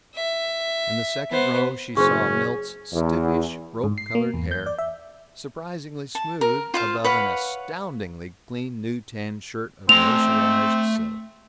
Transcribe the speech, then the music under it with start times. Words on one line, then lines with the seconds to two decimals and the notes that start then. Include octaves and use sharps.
In the second row she saw Milt's stiffish, rope-colored hair--surprisingly smooth above an astoundingly clean new tan shirt of mercerized silk.
0.15 E5
1.31 B3 C5
1.97 F#1 C#4 G#4 C5 C6 C#6
2.93 E2
3.84 G#2
3.98 C7
4.15 A#3
4.34 E2
4.51 G6
4.66 D5
4.79 E5
6.15 A5
6.41 A#4
6.74 F4 C5 F5
7.04 B4 C#5 F5 F#5
9.89 A3 C4 C6 F7